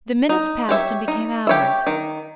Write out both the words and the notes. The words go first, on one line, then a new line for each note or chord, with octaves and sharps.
The minutes passed and became hours.
D#4
G4 C#5 E5
D#4
G4 C#5 E5
D#3